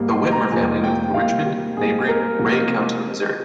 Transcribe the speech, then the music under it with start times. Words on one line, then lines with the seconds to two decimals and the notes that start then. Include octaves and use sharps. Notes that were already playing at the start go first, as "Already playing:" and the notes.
The Whitmer family moved to Richmond in neighboring Ray County, Missouri.
Already playing: G#2 G3 A#3
0.11 C6
0.31 A#5
0.52 F2 C3 F3 A#3 G#5
0.84 G5
1.14 C3 G3 A#3 F5
1.46 G4
1.77 G#2 G3 A#3 G#4
2.09 A#4
2.39 C3 F3 A#3